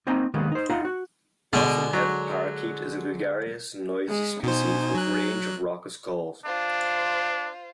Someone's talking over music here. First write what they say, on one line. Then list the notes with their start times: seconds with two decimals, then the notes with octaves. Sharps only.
Blossom-headed parakeet is a gregarious and noisy species with range of raucous calls.
0.07 A#3 C4 D#4 D#5 G#5 A#5
0.34 D#3 G3 G#3 A#3 B3
0.52 D#4 C5
0.69 D#4 F4 F#5 A#5 C6
0.85 F#4
1.53 B2 D3 G#3
1.93 F#3
4.08 G#3
4.43 B2 D#4 C5 G#5
4.95 F#3 F#6
6.46 D4 F4 C5